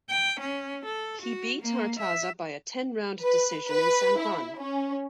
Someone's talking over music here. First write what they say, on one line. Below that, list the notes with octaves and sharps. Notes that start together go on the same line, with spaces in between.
He beat Artaza by a ten-round decision in San Juan.
G5
C#4
A4
F#4
A#3
E5
B4
B4
E4
C#4